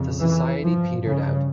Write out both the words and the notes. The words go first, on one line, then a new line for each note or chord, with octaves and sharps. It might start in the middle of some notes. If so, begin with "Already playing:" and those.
The society petered out.
Already playing: F2 C#3
E3
G2 F3
C#3